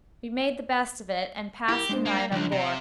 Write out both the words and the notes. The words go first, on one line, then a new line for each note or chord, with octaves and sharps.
We made the best of it, and passed the night on board.
E4 G4 A#4
G#3 D4 C5
A#3
C#2 F3 D4
C3 A#5